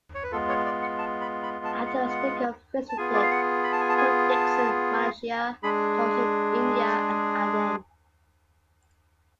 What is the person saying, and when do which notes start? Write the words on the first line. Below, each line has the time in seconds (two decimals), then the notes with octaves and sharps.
After the "Stickell" visited Port Dickson, Malaysia; Cochin, India; and Aden.
0.15 C#5
0.23 B4
0.32 G#3 B3 F4 A4
0.49 C#5
0.66 D5
0.82 F#5
0.98 A5
1.21 B5
1.43 B5
1.65 A5
1.87 F#5
2.10 F#5
2.89 A5
2.97 B3 F4 G#4 G#5
3.14 D5
3.22 F5
3.31 F#5
3.64 B5
3.72 A5
3.80 G#5
3.89 A5
3.98 G#5
4.30 A5
5.63 G#3 D4 G#4 B5